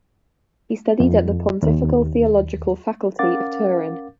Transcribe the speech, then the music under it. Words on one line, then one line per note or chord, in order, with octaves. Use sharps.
He studied at the Pontifical Theological Faculty of Turin.
F2
D#2
C#4 A#4 F5 F#5 D6 A6